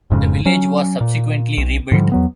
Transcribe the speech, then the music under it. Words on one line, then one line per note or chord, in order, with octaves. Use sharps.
The village was subsequently rebuilt.
E1 F2 G#2 C#3
F#3 C#4
A#2
B1
G#2 D3 F3 G3
E2 F#3 B3